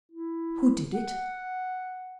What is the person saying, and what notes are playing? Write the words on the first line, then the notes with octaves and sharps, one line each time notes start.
Who did it?
E4
F#5